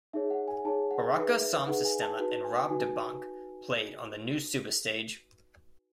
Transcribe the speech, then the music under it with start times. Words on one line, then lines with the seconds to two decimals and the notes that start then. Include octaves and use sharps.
Buraka Som Sistema and Rob Da Bank played on the new Suba Stage.
0.13 D#4 G#4 C#5 E5
0.30 F#5
0.48 G#5
0.65 D#4 G#4 C#5 A5
0.91 F#5
1.16 D#4 G#4 B4 E5
1.42 E5
1.67 D#4 G#4 B4 F#5
1.85 G#5
2.02 A5
2.19 D#4 F#4 B4 A5
2.44 G#5
2.70 D#4 F#4 B4 G#5